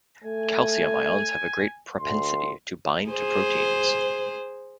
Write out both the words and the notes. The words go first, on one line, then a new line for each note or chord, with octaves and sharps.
Calcium ions have a great propensity to bind to proteins.
A3 G#5
D2 C6
G#4 C5